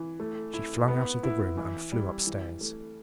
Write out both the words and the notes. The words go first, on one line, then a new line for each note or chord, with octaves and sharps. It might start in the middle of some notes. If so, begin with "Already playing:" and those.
She flung out of the room and flew upstairs.
Already playing: E3
A3
E4
B3
E4
E3
G3
E3
A3